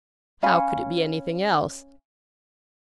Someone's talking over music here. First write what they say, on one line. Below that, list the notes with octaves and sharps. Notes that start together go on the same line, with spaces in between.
How could it be anything else!
C#4 F5 G#5 B5